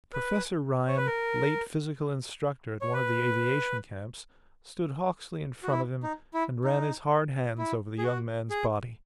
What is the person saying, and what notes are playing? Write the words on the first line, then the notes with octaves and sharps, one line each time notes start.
Professor Ryan, late physical instructor at one of the aviation camps, stood Hawksley in front of him and ran his hard hands over the young man's body.
B4
C#5
B4
A#4
C#5
B4
F#4
E4
D#4
E4
D#4
E4
G#4
F#4
G#4